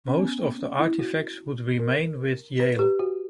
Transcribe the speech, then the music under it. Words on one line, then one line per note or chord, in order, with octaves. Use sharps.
Most of the artifacts would remain with Yale.
C#4
B3
A#3
C#4
E4
F#4
A#4
B4
G4
F#4